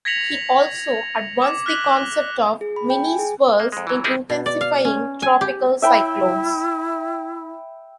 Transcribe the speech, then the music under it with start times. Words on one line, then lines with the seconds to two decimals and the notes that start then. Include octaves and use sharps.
He also advanced the concept of mini-swirls in intensifying tropical cyclones.
0.05 G#6 A#6 B6 C#7 F7 F#7
1.42 D6
1.66 F6 F#6 B6 F#7
2.61 G#4
2.76 B5
2.90 G5
3.05 G#5
3.19 G#4
3.60 A#3
3.72 F2 G#3
3.87 E3 F#3
4.04 G3 B3 C4 D#4 E4 G#4
4.30 B2
4.46 D5
4.61 F5
4.85 C#4
5.22 G#5
5.41 G4
5.82 E4 E5 G5 B5